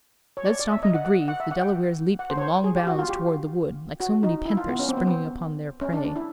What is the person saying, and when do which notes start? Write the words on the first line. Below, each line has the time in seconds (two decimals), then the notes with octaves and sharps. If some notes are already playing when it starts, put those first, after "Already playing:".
Without stopping to breathe, the Delawares leaped in long bounds toward the wood, like so many panthers springing upon their prey.
0.37 C#5
0.45 D5
0.49 C#5
0.59 D5
0.71 E5
0.83 D#5
0.94 F#5
1.05 F#5
1.28 F#5
1.40 E5
1.51 F#5
1.61 G5
2.19 F#5
2.30 C5
2.37 C#5
2.41 C5
2.64 G#4
2.76 G4
2.87 F#4
2.99 F4
3.09 G4
4.00 F#4
4.23 D#4
4.45 E4
4.57 F4
4.68 B3
4.79 C#4
4.89 C4
4.97 B3
5.07 C4
5.81 C#4
5.93 D4
6.04 D4
6.16 E4